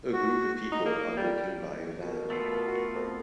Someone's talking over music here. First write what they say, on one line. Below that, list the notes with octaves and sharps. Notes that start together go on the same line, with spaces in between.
A group of people are walking by a van.
F#4
D#4
A#3
G3
B2 A#4
A3 B3 F4
F#4
F2